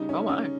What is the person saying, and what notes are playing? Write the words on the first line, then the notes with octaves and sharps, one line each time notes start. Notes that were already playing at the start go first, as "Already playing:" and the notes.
Oh my.
Already playing: C#3 G3 D#4
C#4
C#4